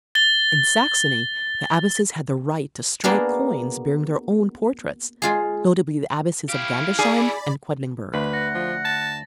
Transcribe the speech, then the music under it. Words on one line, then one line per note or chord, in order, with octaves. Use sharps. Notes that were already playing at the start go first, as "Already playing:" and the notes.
In Saxony, the abbesses had the right to strike coins bearing their own portraits, notably the abbesses of Gandersheim and Quedlinburg.
A6 G7
A#3 B3 D4 F#4 G#4 A#4
G#3 F4 G#4
E4 G4 F5
G#4 D5 B5
D2 B4
F#5 A#6
F3
A5 A6